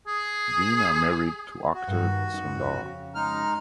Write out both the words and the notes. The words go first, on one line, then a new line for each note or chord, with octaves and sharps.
Veena married to actor Sundar.
G#4
F#4
G2 D#3
D#4
F2 C#3
G#3 D#4 F6